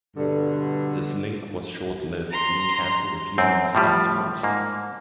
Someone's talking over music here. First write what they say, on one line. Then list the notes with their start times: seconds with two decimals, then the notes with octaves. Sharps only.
This link was short-lived, being cancelled a few months afterwards.
0.17 G2 B2 D3
2.31 A#5 C6
3.38 F#2 C4
3.75 A2 F3 G3
4.43 G#2 A#3